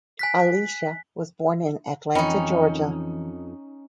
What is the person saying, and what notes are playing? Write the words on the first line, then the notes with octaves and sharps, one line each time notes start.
Alicia was born in Atlanta, Georgia.
G#5 F#6 B6
F2 E3 C#4 D#4 D#5 G5 B5